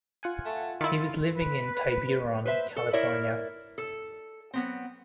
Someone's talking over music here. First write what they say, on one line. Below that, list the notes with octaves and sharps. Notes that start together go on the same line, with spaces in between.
He was living in Tiburon, California.
F4 F#5 G#5
A3
D#3 E4 F4 B5 A6 C#7
B4
B4 C5 E5
A4
E4 A#4 C#5 D5 E5
A4
F#3 B3 C4